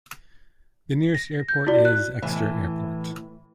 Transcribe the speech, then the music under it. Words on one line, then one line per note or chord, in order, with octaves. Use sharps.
The nearest airport is Exeter Airport.
A#6
G6
E4 F#4 D5
F#6
A2 E3